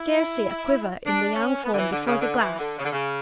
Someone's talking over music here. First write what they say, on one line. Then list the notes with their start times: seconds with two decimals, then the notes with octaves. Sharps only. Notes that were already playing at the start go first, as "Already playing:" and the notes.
Scarcely a quiver in the young form before the glass!
Already playing: E4
1.06 D4
1.35 C#4
1.64 B3
1.74 D3
1.78 E3
1.92 D3
2.07 C#3
2.21 D3
2.40 E3
2.59 D3
2.79 C#3
2.85 D3
2.93 C#3